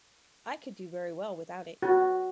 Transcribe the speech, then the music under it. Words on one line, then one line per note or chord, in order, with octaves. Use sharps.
I could do very well without it.
F#4